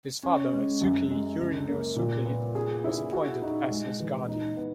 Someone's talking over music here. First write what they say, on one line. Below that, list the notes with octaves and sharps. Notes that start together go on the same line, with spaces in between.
His father, Sugi Yurinosuke, was appointed as his guardian.
C#4
G#3
F#2
G#3
C#2
A#3
A#2
B3
G#4
E4
F#4
D#4
G#3
E3
D#4
B3